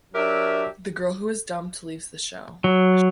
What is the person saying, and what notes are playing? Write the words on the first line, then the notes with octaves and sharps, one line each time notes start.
The girl who is dumped leaves the show.
F#3 D4 G4 A#4 E5
F#3